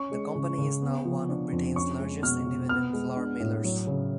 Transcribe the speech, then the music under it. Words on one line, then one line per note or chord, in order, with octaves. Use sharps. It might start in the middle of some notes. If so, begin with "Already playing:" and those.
The company is now one of Britain's largest independent flour millers.
Already playing: C#4 C#6
G#3
C#3
C#3
B3
F3
D4
F2
C#4 C#6
G#3
B2 F6
B2
B3 F6
G#3
D4
A2
F#3
C#3